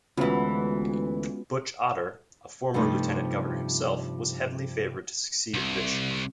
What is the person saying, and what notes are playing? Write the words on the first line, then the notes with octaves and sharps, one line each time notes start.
"Butch" Otter, a former lieutenant governor himself, was heavily favored to succeed Risch.
D2 E3 G#3 B3 C#4 F4 F#4 B4
G2 C3 F3 A3 D#4
C2